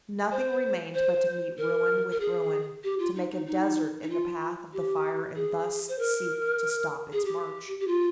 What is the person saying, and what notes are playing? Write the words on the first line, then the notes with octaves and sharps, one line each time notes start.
Nothing remained but to meet ruin with ruin, to make a desert in the path of the fire and thus seek to stop its march.
C5
C5
A#4
A#4
G#4
G4
F4
D#4
D#4
D#4
D#4
F4
G4
G#4
C5
A#4
G#4
G4
G4
F4